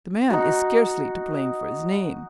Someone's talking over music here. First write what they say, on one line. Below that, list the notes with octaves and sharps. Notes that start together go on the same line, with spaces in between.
The man is scarcely to blame for his name.'
D#4 F#4